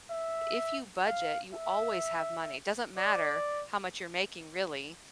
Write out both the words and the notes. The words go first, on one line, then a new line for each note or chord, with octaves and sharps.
if you budget, you always have money- doesn't matter how much you're making really,
E5
F5
E5
D5